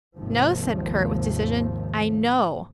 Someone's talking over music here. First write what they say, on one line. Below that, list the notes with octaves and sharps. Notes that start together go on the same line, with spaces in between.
"No," said Kurt with decision, "I KNOW."
G#1 D#2 C3 F3